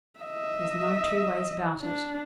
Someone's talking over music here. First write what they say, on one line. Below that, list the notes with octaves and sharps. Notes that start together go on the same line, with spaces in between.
There's no two ways about it.'
D#5 E5
D4